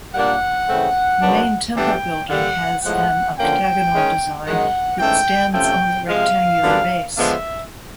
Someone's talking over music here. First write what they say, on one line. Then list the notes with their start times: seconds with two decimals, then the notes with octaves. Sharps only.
The main temple building has an octagonal design that stands on the rectangular base.
0.14 A#2 G3 A#3 D4 F#5
0.67 C#3 E3 A3 C4
1.21 F#2 C#3 F#3 B3 D4
1.76 A2 E3 G3 B3 D4 G5
2.29 G2 D3 G3 A#3 F#5
2.83 A2 F3 G#3 F#5
3.37 D3 F3 A#3 C#4 G5
3.92 D#3 G#3 C#4
4.45 F#2 D#3 G#3 F#5
5.00 G#2 E3 A3 C#4 G5
5.53 C3 F3 A3 C#4 G5
6.07 C3 F3 G#3 F5
6.62 F#2 D3 G3 B3 D4
7.16 D3 F3 G#3 B3 D4 E5